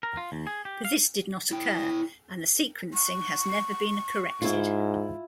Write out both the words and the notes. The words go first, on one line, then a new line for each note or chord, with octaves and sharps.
But this did not occur, and the sequencing has never been corrected.
A#4
F4
D#2
G#4
G4
F5
E4 G5
C#6
G#2 E4 F4